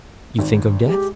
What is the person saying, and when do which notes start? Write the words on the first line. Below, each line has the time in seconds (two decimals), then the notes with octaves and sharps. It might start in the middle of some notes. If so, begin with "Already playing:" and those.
"You think of death?"
0.39 G#1
0.86 G#3 G4